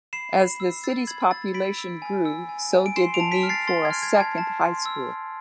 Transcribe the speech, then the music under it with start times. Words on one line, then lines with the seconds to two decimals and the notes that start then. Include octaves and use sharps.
As the city's population grew, so did the need for a second high school.
0.13 B5 C7 E7
0.36 B5
0.60 E6
0.84 E6 A6
1.07 B5 G#6
1.31 E6 A6
1.54 B5 B6 D7
1.78 E6
2.02 G#5
2.25 E6
2.49 G#5
2.73 G#5
2.86 D7
2.96 C6 C7 E7
3.14 D7 F7
3.20 A5
3.32 B6 D7
3.43 F6
3.49 A6 C7
3.67 C6 A6
3.85 G#6
3.91 F6
4.03 G#6
4.14 A5
4.20 G#6
4.38 A5
4.62 C6
4.86 E6
5.09 E6